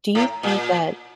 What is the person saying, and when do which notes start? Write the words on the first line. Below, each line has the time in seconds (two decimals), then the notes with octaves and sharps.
Do you think that
0.15 A2
0.43 A#2